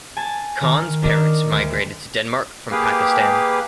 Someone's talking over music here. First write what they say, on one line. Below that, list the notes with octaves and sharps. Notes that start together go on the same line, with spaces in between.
Khan's parents migrated to Denmark from Pakistan.
G#5 A5
D#3 A#4
D4 A#4 D#5
D2
A#3 G4 G#4 B4 F5 G5